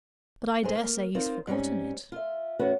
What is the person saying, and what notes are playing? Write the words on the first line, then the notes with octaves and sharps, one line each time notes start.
"But I dare say he's forgotten it."
G#2 G#4 C5
A#3
C4 D#4 F4 A#4 C5
G#2 G3 C4 C#4
F4 E5
E2 A2 B3 C#4 F#4 B4